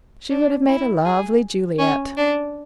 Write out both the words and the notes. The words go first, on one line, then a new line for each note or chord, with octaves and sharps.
She would have made a lovely Juliet.
D4
E4
G#4
C#4
D4